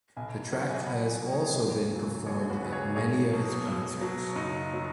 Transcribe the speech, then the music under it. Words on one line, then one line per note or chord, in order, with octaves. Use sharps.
The track has also been performed at many of his concerts.
B1 D#5 G#5
B2 F#3 C#5 F#5
D#5 G#5
B1 F#5 B5
D#5 G#5
B2 F#3
G#4 C#5
D#2
C#3 F#3
D#2 G#4 C#5
F#4 B4
C#3 F#3
G#4 C#5
B1 G#4 C#5
B2 F#3
B1
B2 F#3
F#1 D#4
F#3